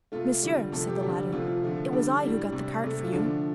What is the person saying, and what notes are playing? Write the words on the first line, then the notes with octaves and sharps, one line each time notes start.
"Monsieur," said the latter, "it was I who got the cart for you."
C3 A3 F4
D3 G3
C3 F3 A3 A4
G4
D3 G3
C3 F3 A3 F4
F4
D3 F3 A3
D3 G3 D4
A2 G3
C3
G3
C3 A3
F4
D3 F3 A3 D4